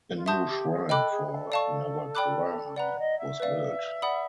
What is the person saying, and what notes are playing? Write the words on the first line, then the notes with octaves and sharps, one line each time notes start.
A new shrine for Navagraha was built.
F4
F#4 E5 A5 C6 D#6 G6
G4
G#4
A4 D#5 G5 B5 D6 F#6
G#4
G#4
A4
D5 F5 A5 C#6
D5 G5 B5 D6 F#6
B4 D5 F#5 A#5
D#5
E5
B4 D5 F5
D5 F#5 B5 D#6